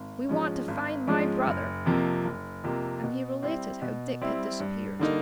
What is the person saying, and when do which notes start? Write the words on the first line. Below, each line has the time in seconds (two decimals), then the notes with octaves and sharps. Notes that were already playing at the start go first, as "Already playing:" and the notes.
"We want to find my brother," and he related how Dick had disappeared.
Already playing: G#1
0.29 G#2 F3 G#3 C#4
0.68 G#1
1.07 G#2 F3 G#3 C#4
1.47 F#1
1.86 F2 C3 F3 A#3
2.25 F#1
2.64 F2 C3 F3 A#3
3.03 B2
3.42 G3 C4 E4
3.82 B2
4.21 G3 C4 E4
4.60 G2
4.99 D3 G3 A#3 D#4